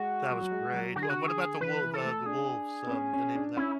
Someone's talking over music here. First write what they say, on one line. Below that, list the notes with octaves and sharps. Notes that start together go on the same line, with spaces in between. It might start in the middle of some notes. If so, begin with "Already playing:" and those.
That was great. Wha what about The Wolv The The Wolves, um, the name of that?
Already playing: G#3 F#4
F#3
F#3
G#3
F#3
D3 F#4
G#4
F#4
G#4
E3 B4
E3
A4
A3
D4 G#4
B3
C#4
C#4
D4
C#4 E4